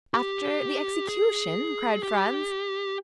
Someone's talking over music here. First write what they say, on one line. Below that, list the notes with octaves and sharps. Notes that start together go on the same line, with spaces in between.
"After the execution?" cried Franz.
G4
G#4
G4